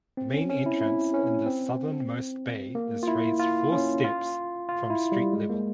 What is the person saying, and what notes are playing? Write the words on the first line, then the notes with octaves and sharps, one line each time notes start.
The main entrance in the southernmost bay is raised four steps from street level.
C4
C#4
C#4
E4
E4
C#4
C4
A#3
F4
E4
F4
C#4
F4
F4
E4
G3
G#3
A#3